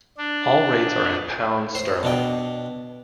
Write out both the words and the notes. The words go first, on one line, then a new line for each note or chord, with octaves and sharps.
All rates are in pounds sterling.
D4
C5
B2 D4 G5